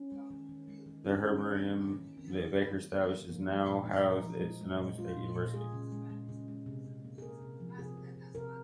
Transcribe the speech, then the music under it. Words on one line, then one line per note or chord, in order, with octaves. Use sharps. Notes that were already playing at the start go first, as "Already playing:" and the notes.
The herbarium that Baker established is now housed at Sonoma State University.
Already playing: C#4
G#3
D#3
D#3
G#3
D#3
A#3 C#4
D#4
D#3 C#4
A#3
A#3
D#3
D#3
D#3 C4
D#3
A#3
D#3
A#3
A#3
F3 A#3
F3
A#2
G#3 D#4
A#2
F3
G#3
G#3
A#2
G#3 F4
A#2
A#2
G#3 G#4
C#3
G#3
G#3
C#3
G#3
C3
C3
A#3
G#4
A#3 A#4
C3
F3
C3 G#4
C3
C3
C3 A#4